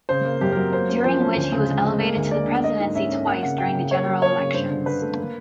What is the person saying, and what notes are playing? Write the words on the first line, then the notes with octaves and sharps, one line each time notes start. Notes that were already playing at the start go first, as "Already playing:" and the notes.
During which he was elevated to the presidency twice during the general elections.
C#3 C5
A#3
F#2 G4
A#4
F#3
A#3 C5
C#4
F3 C5
C#4
D2
C#3
G#3
G#3
A#3
D2
A#3 D5
D3
A#3 D#5
G#2
C#4 E5
C#4
A#3 F#5
C#3 F#5
A#3 G5
C#3
A#3 C#5
F#3
A#3 C#5
C#3
G2 C5
D3
D3 B4
A3
A#3